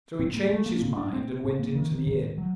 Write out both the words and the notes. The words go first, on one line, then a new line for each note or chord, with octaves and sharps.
So he changed his mind, and went into the inn.
A2 C4
A#3
A3
A#3
D4
A2 C4
D4
C4
A2 C4
A#3
D#3
D#3
A2 D#3
F#3